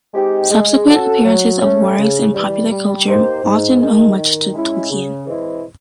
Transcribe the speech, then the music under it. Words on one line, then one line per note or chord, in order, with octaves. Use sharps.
Subsequent appearances of wargs in popular culture often owe much to Tolkien.
G#3 C4 D#4 G4
G#3
C#4 F#4 A4
F#3
A3 C#4
C#3
E3 G3
G3
A#3 D#4 G4 C5
G#2
D#3 G#3
D#3
G#3 C#4 E4
C#3
E3 G#3 C4 E4